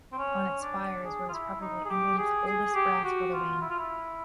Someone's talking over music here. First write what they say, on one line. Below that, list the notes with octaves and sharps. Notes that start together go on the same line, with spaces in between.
On its spire is what is probably England's oldest brass weather vane.
C4
C#4
D4
G#4
F4
E4
D#4
G#4
G4
G#4
G#4
G4
F#4
F4
E4
F4
E4